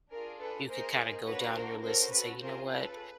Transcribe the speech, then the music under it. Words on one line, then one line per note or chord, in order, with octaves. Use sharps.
you could kinda go down your list and say, "You know what?"
D4 F4 G#4 A#4
A4 B4
A#3 D#4 G#4 A#4 C5
A#3 D4 F#4 B4 C#5
A#4 C5
C#4 F#4 A4 A#4 C5
A4 B4
C#4 F4 G#4 A#4 C5
A4 B4